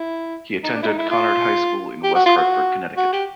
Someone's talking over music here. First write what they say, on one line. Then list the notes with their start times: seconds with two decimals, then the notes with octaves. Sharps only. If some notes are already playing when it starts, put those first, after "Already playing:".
He attended Conard High School in West Hartford, Connecticut.
Already playing: E4
0.63 D#4
0.75 D4
0.82 E4
0.87 D#4
0.98 E4
1.10 F4
2.03 G4
2.15 F#4
2.26 F4
2.37 F#4
2.97 F#4
3.13 G4